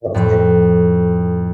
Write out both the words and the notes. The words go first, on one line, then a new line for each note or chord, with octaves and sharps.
Oh, thanks.
F2 A2